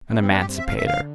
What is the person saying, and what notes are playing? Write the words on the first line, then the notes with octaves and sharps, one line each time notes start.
An emancipator?
A3 B3
C4
G2 D4
G4
C4
E5
C3 F5
E5
D3 F5